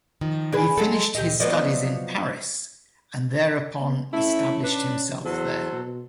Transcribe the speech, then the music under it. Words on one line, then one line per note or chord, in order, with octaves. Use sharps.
He finished his studies in Paris and thereupon established himself there.
D#3 F3
D4 G#4 B4
F#3 G#3 A4
D2 A#2 G4 D#5
F3 F#3 B3 C5 D5 D#5
B3
A3 C#4 E4
D4 B4
E2 F#3 A4 C5
B2